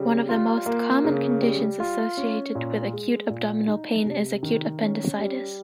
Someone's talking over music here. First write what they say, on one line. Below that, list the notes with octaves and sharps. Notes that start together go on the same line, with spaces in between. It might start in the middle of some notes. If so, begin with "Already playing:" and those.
One of the most common conditions associated with acute abdominal pain is acute appendicitis.
Already playing: C#3 G3
F4
A#3
C#3
G3
F4
C#4
A#2
G#3
A#2
D#4
C3
D#3
C#4
G3